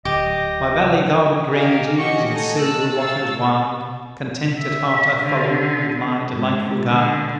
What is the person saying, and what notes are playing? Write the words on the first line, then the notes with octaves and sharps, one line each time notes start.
By valley-guarded granges And silver waters wide, Content at heart I followed With my delightful guide.
D1 G4 D#5
G4 D#5 F5 G#5 A#5
C#4 F#4 G4 D#5 C#6 C#7
D#4 A4 G#5 A#6
A5 E6 F#6
C#5 F5 E6 A6
E5
D3
G#2
D3